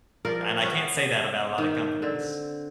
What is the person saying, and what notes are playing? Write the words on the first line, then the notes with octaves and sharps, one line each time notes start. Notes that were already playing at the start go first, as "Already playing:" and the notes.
And, I can't say that about a lotta companies.
F3 A#4 D5
B3 C#4 C#5
D#3 D#4
D3 C4